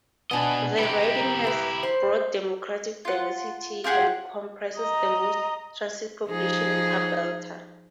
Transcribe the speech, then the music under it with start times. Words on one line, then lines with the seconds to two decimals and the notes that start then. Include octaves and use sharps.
The riding has broad demographic diversity, and comprises the most transient population in Alberta.
0.31 B2 B3 D4 B4 D#5 G#5
0.79 C3 E4 G4 B4 A#5
1.44 B4 E5
1.83 C5
3.05 F4 F#5
3.84 F4 G4 G#4 F#5
4.77 D#5 A#5
6.28 F3 D#4 G#4